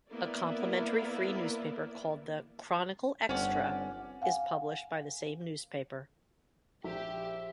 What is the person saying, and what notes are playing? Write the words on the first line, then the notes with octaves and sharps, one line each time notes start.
A complimentary free newspaper called the "Chronicle Xtra" is published by the same newspaper.
A#3 B3 E4 A#4 D5
G1 C4 C#4 D5 F#5
F5 F#5 G#5
A#1 G4 E5